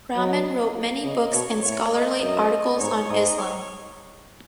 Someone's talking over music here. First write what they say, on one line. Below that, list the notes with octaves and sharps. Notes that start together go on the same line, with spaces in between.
Rahman wrote many books and scholarly articles on Islam.
F#3 D#5
C#3 D#5
B2 C#5
A2 C#5
D#5
F#2 D#5
G#2 C#5
G#2 D#5
C#5